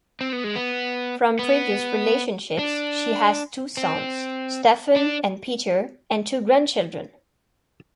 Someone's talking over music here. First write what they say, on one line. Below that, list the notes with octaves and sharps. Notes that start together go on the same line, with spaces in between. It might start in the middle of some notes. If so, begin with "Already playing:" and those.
From previous relationships, she has two sons, Stephen and Peter, and two grandchildren.
C4
B3
G#3
B3
B3
D4
C4
D4